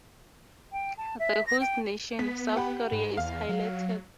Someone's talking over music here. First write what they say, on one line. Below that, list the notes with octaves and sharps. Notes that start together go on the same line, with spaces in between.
The host nation, South Korea, is highlighted.
G5
A5
E5
A#6
G5
B3 B6
G4 F#5 B5
G#2
E2 F5
F#3